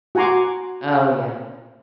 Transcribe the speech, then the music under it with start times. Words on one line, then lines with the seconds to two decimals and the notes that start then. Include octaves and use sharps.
Oh, yeah.
0.15 F#4 F#5 G#5 A#5 C6 D6